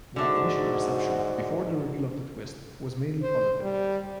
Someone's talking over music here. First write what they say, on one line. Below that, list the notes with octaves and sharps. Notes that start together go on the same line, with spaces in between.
The initial reception before the reveal of the twist was mainly positive.
G#2 D3 D4 F#4 E5
C5
G3